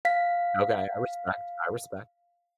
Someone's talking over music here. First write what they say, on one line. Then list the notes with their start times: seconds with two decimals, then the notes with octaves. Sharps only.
okay. I respect, I respect.
0.05 F5 B6